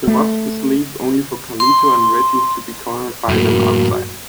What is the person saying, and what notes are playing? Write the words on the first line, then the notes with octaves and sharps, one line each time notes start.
The mobsters leave, only for Carlito and Reggie to be cornered by them outside.
A3
C6
F#2 A2 A#3 F#4